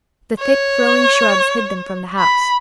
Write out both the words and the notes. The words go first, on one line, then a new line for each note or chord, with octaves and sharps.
The thick growing shrubs hid them from the house.
C#5
B5